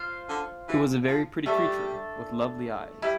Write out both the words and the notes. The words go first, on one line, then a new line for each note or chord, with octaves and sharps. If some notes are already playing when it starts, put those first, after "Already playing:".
It was a very pretty creature, with lovely eyes.
Already playing: F4 C5 F5
D3
E3
F3
G3 A3 D4 A4
G3 E4